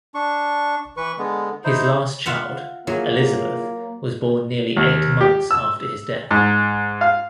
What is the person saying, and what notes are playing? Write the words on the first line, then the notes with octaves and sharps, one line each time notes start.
His last child, Elizabeth was born nearly eight months after his death.
D4 C#6
E3 B4 C#6
D3 G#3 B3
D#4 E4 C5
F4 E5 F#5
F#3 A#3 E4 F4 G#4
D#2
G4
E6
G#2
F5